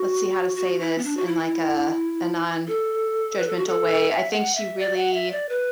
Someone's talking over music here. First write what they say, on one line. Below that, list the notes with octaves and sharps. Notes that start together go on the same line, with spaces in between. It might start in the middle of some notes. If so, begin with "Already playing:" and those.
let's see how to say this in, like, a a nonjudgmental way. I think she really,
Already playing: F#4
F#4
E4
B3
D4
F#4
E4
A4
B4
A4
F#4
A4
E5
F#5
E5
D5
F#5
E5
D5
B4